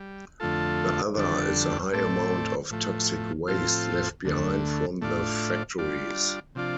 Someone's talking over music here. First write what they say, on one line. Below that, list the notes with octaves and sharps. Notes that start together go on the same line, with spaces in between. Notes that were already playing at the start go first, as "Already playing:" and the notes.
The other is the high amount of toxic waste left behind from the factories.
Already playing: G3
F2 D3 A3 F4 A4
F2 D3 G3 D4 A4
A2 A3 C4 A4 D5
A2 F3 A3
A2 F3 C4 F4 A4
D2 D3 A3
A2 A3 D4 F4 D5
G3 D4 F4 D5
C3 F3 D4 F4 D5